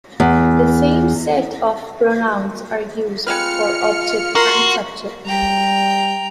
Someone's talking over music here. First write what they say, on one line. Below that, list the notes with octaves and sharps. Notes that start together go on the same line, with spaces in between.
The same set of pronouns are used for object and subject.
E2
G#3 C4 F4 B4 F6 C#7
F#4 A#4 C6 C7
G3 G5 A#5